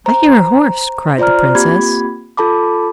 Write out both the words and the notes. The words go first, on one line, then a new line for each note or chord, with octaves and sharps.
'I hear a horse,' cried the princess.
C5 A#5
F4 C5 D5 A#5 F6
A#3 C4 F4 G4 B5 G#6
F4 A4 A5 B5 D6